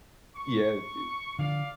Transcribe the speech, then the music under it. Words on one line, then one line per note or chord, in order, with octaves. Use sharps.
Yeah, th
C#6
D3 F3 D5 F5